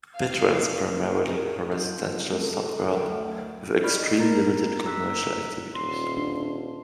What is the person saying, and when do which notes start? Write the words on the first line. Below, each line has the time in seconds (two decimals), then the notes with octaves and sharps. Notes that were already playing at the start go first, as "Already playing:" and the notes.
Bidwill is primarily a residential suburb with extremely limited commercial activity.
0.18 F5
1.26 A#2 G4 G#4 A#4 C#6 D#6
1.72 D3 F3 F#3 D#4 C6
2.33 G#3 A4 A#5
2.93 D2 D#3 F#3 D5 E5 F#5 G5
3.83 D5 D#5 B5 C#6 F6
4.19 B3 A#4 A#5 A6
4.85 A#5 E6 F#6 B6
5.74 D#1 C6
6.17 D4